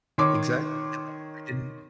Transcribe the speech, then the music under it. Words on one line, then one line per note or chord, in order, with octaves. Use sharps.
Exactly and like, I didn't
D#3 C#5 C6 D6